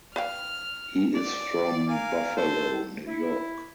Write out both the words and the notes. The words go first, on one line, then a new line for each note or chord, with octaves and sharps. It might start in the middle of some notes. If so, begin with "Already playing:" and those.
He is from Buffalo, New York.
B4 F5 G5 F6
D5
A#4 F5 G#5
A4 C5
E4